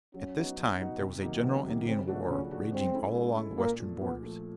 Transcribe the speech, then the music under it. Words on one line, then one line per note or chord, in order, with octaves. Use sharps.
At this time there was a general Indian war raging all along the western borders.
F#3 C#4
B3 D#4 F#4
F#3
B3 D#4 F#4
C3
D#3 F#3 A#3 D#4
C3 B3
D#3 F#3 A#3 D#4
C#3 C4
F3 A3 D4 F#4
C#3 C#4
F3 A3 D4 F#4
G#3 C4
C#4 E4 A4
G#3
C#4 E4 A4
A#2 A#3
F3 A3
A#2 B3
F3 A3